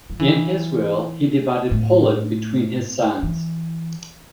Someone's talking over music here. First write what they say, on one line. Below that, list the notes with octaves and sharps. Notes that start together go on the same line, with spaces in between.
In his will, he divided Poland between his sons.
F3
E3
A2
E3